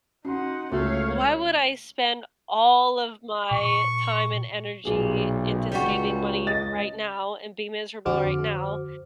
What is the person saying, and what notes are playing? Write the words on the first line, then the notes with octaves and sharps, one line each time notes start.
"Why would I spend all of my time and energy into saving money right now and be miserable right now
C#4 D#4 F#4 F#5 C6
C#2 A3 F#4 C#5 F5
A#2 C#6
B1 A#2 G#4
C#2 G3 F#4
D#5 A6
F2 D3 F#4 C5 D6 F6